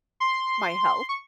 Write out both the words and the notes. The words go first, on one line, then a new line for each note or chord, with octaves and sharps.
my health.
C6
C#6